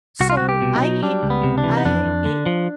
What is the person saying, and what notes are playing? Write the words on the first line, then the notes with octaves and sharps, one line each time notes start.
So, I eat I eat
C2 F#4
F4
C2 F#4
G4
B2
D#4
F#3
G3 D4
C#2
B3
C3
D4
E3
D#4
F2 D4
F2
D3
F3